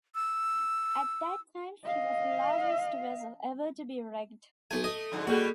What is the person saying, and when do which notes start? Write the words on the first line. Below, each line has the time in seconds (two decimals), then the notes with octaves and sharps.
At that time she was the largest vessel ever to be wrecked.
0.15 E6
1.86 D#5 F5
4.71 B1 A3 G#5
4.84 D#5 D#6
5.12 F2 G#2 D3
5.27 B2 G3 A#3 F#4 G#4 A4